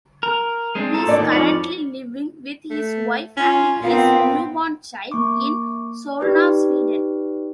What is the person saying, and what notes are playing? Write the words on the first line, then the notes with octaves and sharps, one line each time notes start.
He is currently living with his wife and his newborn child in Solna, Sweden.
A#4
G#3 C4 D4
F4 A4 A#5
A#2 D4 D5
D#3 D#4
F2 G#2 F3 C#5 D5
A3
C#4 F4
A#2 B3 C4 F5
A#3 C#6 D6
D#4 G4 B4 D5